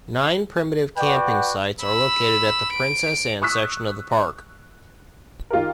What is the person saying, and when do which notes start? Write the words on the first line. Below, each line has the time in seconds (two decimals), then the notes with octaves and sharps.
Nine primitive camping sites are located at the Princess Ann section of the park.
0.97 F#4 B4 D5 F#5 G5
1.82 B5 E6
2.73 D7
3.42 C#6 D#6 E6 F#6 B6
5.50 D#3 F4 G4 A#4